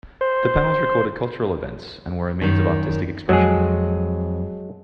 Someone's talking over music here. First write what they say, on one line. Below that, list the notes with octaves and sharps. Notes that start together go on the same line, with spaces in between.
The panels recorded cultural events and were a means of artistic expression.
C5
F#2 D#3
F2 F#3 G#3 G#4